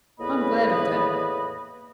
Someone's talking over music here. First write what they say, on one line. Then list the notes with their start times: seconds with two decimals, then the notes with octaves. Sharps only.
'I'm glad of that.
0.19 E2 A2 A#3 B4 D#5 B5